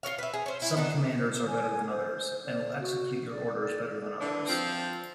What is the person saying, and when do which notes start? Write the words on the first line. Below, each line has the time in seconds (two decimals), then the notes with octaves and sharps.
Some commanders are better than others and will execute your orders better than others.
0.03 F4 A#4 C#5 F5
0.18 B4 E5
0.34 G#4
0.46 C#4 C5
0.62 E4
0.77 B3 D4 D#4
1.17 C5
1.47 G#5
1.90 C5
2.46 D5
2.80 F#4
3.30 D5
3.62 D5
4.21 D3 E3 D4
4.48 F3 C4